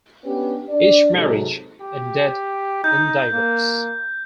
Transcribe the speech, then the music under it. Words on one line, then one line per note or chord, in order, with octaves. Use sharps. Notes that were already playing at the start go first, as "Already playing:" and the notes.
Each marriage ended in divorce.
B3 C#4 D4 G4 B4
D4 D5
C3 F#3 G#3 D#4 A4
G4
D#4 G6
A#3